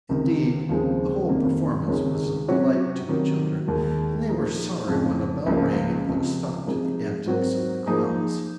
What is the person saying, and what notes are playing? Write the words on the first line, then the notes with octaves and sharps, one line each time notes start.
Indeed, the whole performance was a delight to the children, and they were sorry when a bell rang and put a stop to the antics of the Clowns.
C#2 C3 D#3
D#2 C#3 F3 G#3 C4
F2 C3 D#3 A#3
C#2 C3 D#3 G#3 C#4
C3 F#3 C#4 F#4 C#5
C3 D#3 F#3
D#2 D#3 G#3
A#2 F3 A#3 D#4 G#4
F2 C#3 F3
C#2 C#3 F3 A#3 F4
C#2 C3 F3
C3 F3 G#3 D#4
G#2 F#3 C4 F#4 A#4
F3 A#3 D#4 G#4